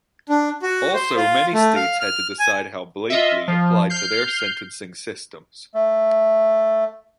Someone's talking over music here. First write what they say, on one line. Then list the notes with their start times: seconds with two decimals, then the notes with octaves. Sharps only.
Also, many states had to decide how "Blakely" applied to their sentencing systems.
0.29 D4
0.62 F#4
0.94 C5
1.16 F4
1.54 A3
1.75 F5
2.01 F6
2.39 G#5
3.10 F4 D#5 E5
3.48 F3
3.90 F6 G6 C7
5.74 A3